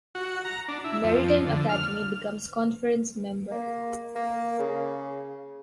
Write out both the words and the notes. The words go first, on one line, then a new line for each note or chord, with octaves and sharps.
Maritime Academy becomes conference member.
F#4
A#5
D4
E4
F2
D3
F6
A#3
A#3
C#3